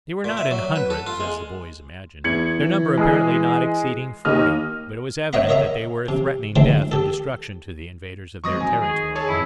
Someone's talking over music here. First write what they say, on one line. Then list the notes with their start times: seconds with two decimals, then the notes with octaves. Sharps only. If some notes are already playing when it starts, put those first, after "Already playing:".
They were not in hundreds, as the boys imagined, their number apparently not exceeding forty; but it was evident that they were threatening death and destruction to the invaders of their territory.
0.24 A#2
0.37 E5
0.51 F#3
0.76 B4
0.90 A4
1.07 F4
1.20 G#3
2.24 E2 G#6 C#7 F#7
2.60 E3
2.98 G#3 G#4
4.25 D#2 D#5 F6
5.33 C#5 D#5 E5 F#5 A#5 B5
5.49 A#4 C#5 D#5 E5 A#5 B5
6.08 C3
6.56 D3 F#3 G#3 C4 E4
6.91 G4 A4
8.44 F#3 G#3 C4 C#6 D#6 A#6
8.60 D#3 G#5
8.81 G#4
9.15 G#4 A4 C#5
9.28 F2 B2 E4